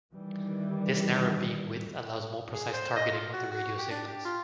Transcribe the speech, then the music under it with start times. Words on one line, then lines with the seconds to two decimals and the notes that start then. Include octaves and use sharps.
This narrow beam width allows more precise targeting of the radio signals.
0.12 D#3 E3 G3
2.54 G#4
2.73 C5
2.96 D#5
3.13 F4
3.33 F#4
3.51 F#4
3.78 G4
3.91 D4
4.08 G4
4.25 F4